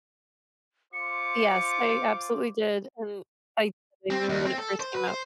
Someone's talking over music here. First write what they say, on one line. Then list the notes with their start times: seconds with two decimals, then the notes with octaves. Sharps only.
Yes, I absolutely did, and I'd I remember when it first came out
0.93 F4 C5 D6 C#7
4.10 C4
4.29 D#2
4.45 C4
4.58 A4
4.80 C5
4.95 B4
5.08 C5